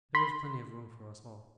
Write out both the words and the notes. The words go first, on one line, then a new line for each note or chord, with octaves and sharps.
There was plenty of room for us all.
B5 C6